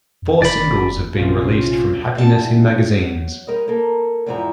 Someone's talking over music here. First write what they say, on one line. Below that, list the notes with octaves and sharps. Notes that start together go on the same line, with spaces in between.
Four singles have been released from "Happiness in Magazines".
F2
F#1 D5 B5
A#1 C3 C#4 F4
B2 E3 G3 D4 C5 A5
F#3
G3 A#4 B4 C#5 D#5
A#3 A4 A#4
E2 G#2 E3 F3 E4 A#5